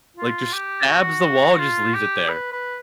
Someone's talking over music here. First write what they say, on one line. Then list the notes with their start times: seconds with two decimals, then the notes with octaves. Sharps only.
Like, just stabs the wall and just leaves it there,
0.17 F4
0.52 G4
0.87 F#4
1.58 F4
1.93 G4
2.29 B4
2.52 B4